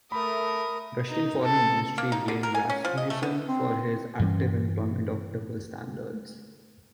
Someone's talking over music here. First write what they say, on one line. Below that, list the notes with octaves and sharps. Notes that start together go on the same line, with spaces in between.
Russian Foreign Ministry blamed Rasmussen for his active employment of double standards.
A3 A#4 B5 D#6
D#4
A4
A#3
D#4
D3
A#4
G#5
C#4
F3
D#5
A3
B3
C4
G2 E3 G3 C#4